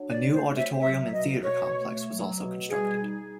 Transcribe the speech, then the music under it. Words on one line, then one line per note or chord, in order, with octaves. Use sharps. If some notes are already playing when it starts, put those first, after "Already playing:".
A new auditorium and theater complex was also constructed.
Already playing: F#3 D4
D5
A3
C5
F#3
E5
F#3 E5
B2 D#5
B2 C#5
A3
F#3
B2
G3 G#4
D#4